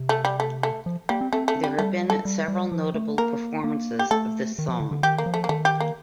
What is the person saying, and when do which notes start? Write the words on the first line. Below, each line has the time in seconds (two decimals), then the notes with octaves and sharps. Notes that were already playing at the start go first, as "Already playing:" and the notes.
There have been several notable performances of this song.
Already playing: C3
0.09 A3
0.25 G3
0.40 A3
0.63 A3
0.86 F3
1.09 G3 A#3
1.21 C4
1.33 A3 C4
1.48 A3
1.64 G3
1.78 G3 A3
2.10 A4
2.25 G3
2.48 G3
2.72 F3
2.94 A3
3.18 A#3 A#4
3.64 A#3
3.99 G4
4.11 A3 A4
4.59 D#3
4.69 F3
4.80 D3
4.91 D3
5.03 D#3 G4
5.18 A#3
5.26 F3
5.34 A3
5.44 A#3
5.49 D#3 A3
5.65 G4
5.80 A#3